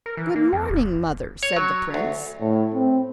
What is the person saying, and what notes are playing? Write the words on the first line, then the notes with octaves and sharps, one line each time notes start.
'Good-morning, mother,' said the prince.
A#4
E3
A#3
F2
D#1
C#5
F#3
D2
A2
C4